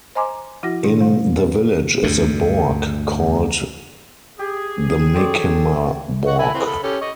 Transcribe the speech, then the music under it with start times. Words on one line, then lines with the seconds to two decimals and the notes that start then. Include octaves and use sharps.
In the village is a "borg" called the Menkemaborg.
0.15 C5 D#5 G#5 A#5 C6 D6
0.63 F3 E4 F#4 F#5 A#6
0.84 B2 D#3 D4
0.99 C3 G3 C5
1.37 B4
2.03 D2 G2 D3
4.39 G4 G#4
5.15 C4 A4 C#5 D5
6.27 F#5 C#6
6.39 E5 G#5 B5
6.54 E3 C4
6.66 A4 B5
6.83 C#4 G4 A4
7.01 D#5 C#6